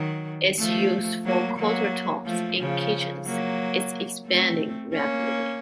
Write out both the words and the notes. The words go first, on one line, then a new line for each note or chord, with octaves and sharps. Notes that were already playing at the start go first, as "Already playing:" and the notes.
Its use for countertops in kitchens is expanding rapidly.
Already playing: D#3 F#3
F3 A3
F#3 A#3
F#3 A#3
F3 A3
C#3 F3
F#3 A#3
A3 C4
A#3 C#4